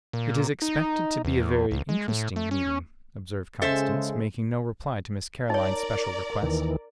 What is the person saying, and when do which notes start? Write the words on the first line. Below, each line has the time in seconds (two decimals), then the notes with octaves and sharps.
"It is expected to be a very interesting meeting," observed Constance, making no reply to Miss Caroline's special request.
0.13 A#2
0.62 D#4
1.25 E2
1.71 C#2
1.89 G#3
2.08 A2
2.36 A3
2.51 C#4
3.62 C#3 G#3 A4 C5 E5
5.50 D#4 A#4 C#5 D5
6.43 D#2 D#3 E3